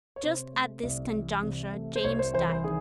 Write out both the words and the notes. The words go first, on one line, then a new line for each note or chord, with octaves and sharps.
Just at this conjuncture James died.
C#5
C3 C5
A3
C2
E3
C3
A3
C5
C2 C#5
C5
E3 C5
C5
D#3 G#4